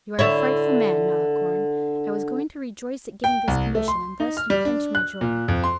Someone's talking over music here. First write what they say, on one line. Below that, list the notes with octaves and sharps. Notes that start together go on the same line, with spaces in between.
"You are a frightful man, Malicorne; I was going to rejoice at getting this commission, and thus you quench my joy."
D3 E4 C#5
G5
C2
A3
C6
D#4
F6
G3
D4
F#6
A#2
F2
C6